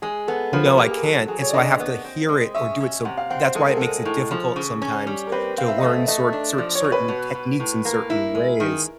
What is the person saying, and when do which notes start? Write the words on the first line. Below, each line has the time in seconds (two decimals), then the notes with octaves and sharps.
no, I can't. And so, I have to hear it or do it. So, that's why it makes it difficult sometimes to learn sor cer certain techniques in certain ways.
0.02 G#3 G#4
0.28 B3 A4
0.53 F3 B4
0.65 B4
0.77 A#3 G4
0.91 G#4
0.97 A#4
1.03 F#3 A4
1.28 F#3 G#4
1.41 C#5
1.49 D5
1.54 D3 D#5
1.79 B3
2.04 C4
2.29 G#3
2.55 C#4 E5
2.80 C#4
3.05 C3 F#5
3.18 F5
3.30 C4 F#5
3.43 C5
3.55 G#3 A4
3.66 A#4
3.77 G#3 A4
4.05 A2
4.31 F3
4.56 C#3
4.82 C#4
5.07 G3
5.27 A#4
5.32 C4 B4
5.57 C4 F5
5.68 E5
5.78 A3 D#5
5.88 E5
6.08 A3 D#5
6.33 D4
6.58 F3 D5
6.75 C#5
6.84 C#3
6.92 B4
7.08 B2
7.35 B2
7.60 A2
7.85 A#3
8.09 E4 A#4
8.35 G#3
8.60 D#3